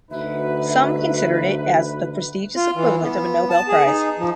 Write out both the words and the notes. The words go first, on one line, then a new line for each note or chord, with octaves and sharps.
Some considered it as "the prestigious equivalent of a Nobel Prize".
D2 D#4 F#4 B4 E5
F4
E3
B3
A5
G#4
D#4
F3